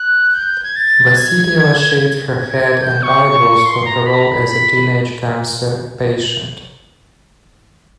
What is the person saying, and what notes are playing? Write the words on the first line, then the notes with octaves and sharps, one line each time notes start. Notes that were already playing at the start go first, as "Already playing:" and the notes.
Vassilieva shaved her head and eyebrows for her role as a teenage cancer patient.
Already playing: F#6
G6
G#6
A6
G#6
G#6
G#6
G6
C#6
C6
A#5
B5
A#5
B5